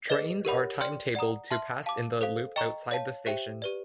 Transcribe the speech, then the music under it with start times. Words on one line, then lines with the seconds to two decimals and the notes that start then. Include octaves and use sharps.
Trains are timetabled to pass in the loop outside the station.
0.10 G#4 B4 D#5
0.45 G4 A#4 C#5 F#5 B5
0.81 D5 G5 C6 F6
1.15 D5 F#5 A#5 D#6
1.51 E5 A5 C6 F6
1.86 F5 A5 D6
2.21 A4 C5 F5
2.56 D#5 G5 A#5 C#6
2.91 C#5 F5 A5
3.26 G4 C5 E5 G5
3.62 G4 B4 D5